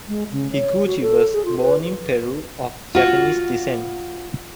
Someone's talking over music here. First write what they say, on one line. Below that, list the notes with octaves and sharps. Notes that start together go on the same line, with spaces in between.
Higuchi was born in Peru of Japanese descent.
G#3
C#3
C#5
F#4
A4
G#4
F4
B4
F4 F#4